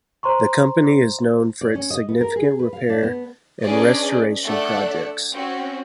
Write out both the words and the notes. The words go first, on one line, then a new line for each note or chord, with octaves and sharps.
The company is known for its significant repair and restoration projects.
C5 A#5 C6 C#6
D5
C#4
D#5
B3
A#4
G#4
B4
F5
D4
B3
C#4 D4 G#4 B4 D5 D#5
A3 D4 A4 D5 F#5 F#6
C4 C#4 F#4